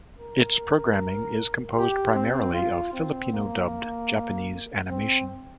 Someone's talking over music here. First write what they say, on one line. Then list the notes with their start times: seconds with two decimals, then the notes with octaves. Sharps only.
Its programming is composed primarily of Filipino-dubbed Japanese animation.
0.19 A#4
1.76 G4
2.14 C4
2.54 F4
2.93 C4
3.32 A#3
4.90 C4